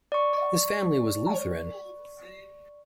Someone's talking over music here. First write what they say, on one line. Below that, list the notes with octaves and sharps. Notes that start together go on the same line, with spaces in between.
His family was Lutheran.
D5 C#6